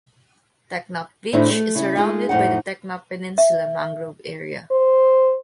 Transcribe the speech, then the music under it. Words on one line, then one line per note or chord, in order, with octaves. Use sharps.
Teknaf beach is surrounded by the Teknaf peninsula mangrove area.
A2 D#3 A3 C4 D4 E4
A3
C#3 E4
G#3 D#4 F4
F2 A2 D#4 F#5
E5
C5